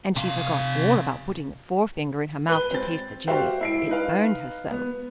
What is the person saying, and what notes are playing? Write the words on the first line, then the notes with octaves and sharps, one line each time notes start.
And she forgot all about putting the forefinger in her mouth to taste the jelly, it burned her so.
C3 F5
B4 G7
C4 A6
F#4 G4 C5 E5 F5
E4 C7 D7
D#4 B4 F5
B3